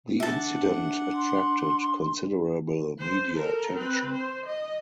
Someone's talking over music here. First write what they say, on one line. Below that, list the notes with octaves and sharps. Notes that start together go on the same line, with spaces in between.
The incident attracted considerable media attention.
D4 E5 F#5 A5
C6
C5
A4 A#4
C4 B4
C5
D#5